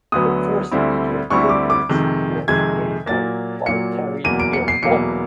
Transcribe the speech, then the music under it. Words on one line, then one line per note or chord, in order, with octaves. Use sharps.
The first video Blueprints was made by Valtteri Hirvonen.
D2 D3 F#3 B3 D#6
D2 D3 G3 C4 E4
D2 D3 G3 C4 E4 C#6
D6
D6
F2 C3 D#3 G#3
F2 C3 D#3 G#3 G#6
A#2 F#3 A#3 A6
A#2 F#3 A#3 C#7
E2 B2 F#3 A#3 D#7
D7
C#7
C7
E2 B2 F#3 A#3 C#7